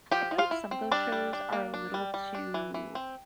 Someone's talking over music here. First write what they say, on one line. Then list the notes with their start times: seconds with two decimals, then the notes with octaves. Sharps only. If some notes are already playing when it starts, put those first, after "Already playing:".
I feel like some of those shows are a little too
0.11 F3 G4 G5
0.31 F3
0.38 F4 F5
0.51 E4
0.71 C4
0.91 G3 D4 D5
1.12 G3
1.33 D4
1.53 A#3
1.74 D4
1.94 G3
2.14 G3
2.35 D4
2.54 E3
2.74 E3
2.95 C4